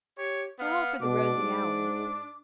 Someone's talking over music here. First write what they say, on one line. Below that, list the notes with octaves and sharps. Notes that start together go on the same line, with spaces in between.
We're all for the rosy hours.'
G4 C#5
B3 F5
B2 D4 D6
G#2